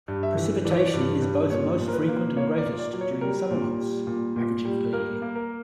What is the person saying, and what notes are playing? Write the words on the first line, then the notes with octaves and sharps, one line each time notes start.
Precipitation is both most frequent and greatest during the summer months, averaging per year.
G2
E5
E3
E3 D5
C#5
D5
G2
G2
A#2 C#5
A#2
A#4
B4
A#3
A#3 C#5
D5
A#2
D5
F#3
C#5
G3 A#4
A#2
G3
A#2
A#2
G3
A#3 A#4
A#3
A#4